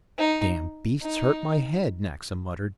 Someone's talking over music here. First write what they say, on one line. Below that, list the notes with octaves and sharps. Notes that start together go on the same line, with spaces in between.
"Dam' beasts hurt m'head," Naxa muttered.
D#4
D#4